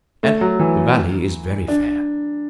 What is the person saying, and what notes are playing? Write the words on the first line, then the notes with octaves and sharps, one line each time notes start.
And the valley is very fair.
A3
F#3
E3
D4